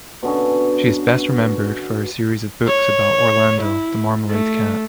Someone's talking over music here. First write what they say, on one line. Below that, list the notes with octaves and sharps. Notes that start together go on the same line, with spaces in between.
She is best remembered for her series of books about Orlando the Marmalade Cat.
B2 D3 C#4
C#5
E4
A3